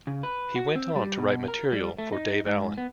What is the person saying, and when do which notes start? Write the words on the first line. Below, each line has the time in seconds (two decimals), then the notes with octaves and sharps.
He went on to write material for Dave Allen.
0.07 C#3
0.23 B4
0.56 F#4
0.75 C4
0.96 G3
1.18 B2
1.48 A#4
1.72 G3
1.98 A3
2.13 D#4
2.46 G#2
2.78 B3